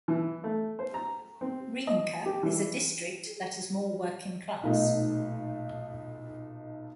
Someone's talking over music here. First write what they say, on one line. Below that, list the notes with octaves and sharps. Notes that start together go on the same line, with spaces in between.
Riemke is a district that is more working class.
E3
A3
C5
A#5
C4
D#5
G4
E3
B1 A#2 A3 D#4